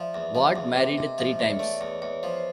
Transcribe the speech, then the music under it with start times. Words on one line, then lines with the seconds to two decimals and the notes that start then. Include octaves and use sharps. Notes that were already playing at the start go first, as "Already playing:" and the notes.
Ward married three times.
Already playing: F3 D5 E5
0.13 E2 E5
0.35 F3 E5
0.56 E2 F5
0.76 C3 E5
0.97 C3 D#5
1.18 F3 E5
1.39 E2 D5
1.51 C#5
1.59 A3 D5
1.81 E2 C#5
2.02 E2 C#5
2.23 F3 C5
2.36 C5